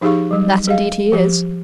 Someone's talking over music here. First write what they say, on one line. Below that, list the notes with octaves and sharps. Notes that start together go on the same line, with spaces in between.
"That indeed he is."
F3 D#4 G4 G#4 F5 C#6
F#3 G3
G#4 D#5 F5
F3 G4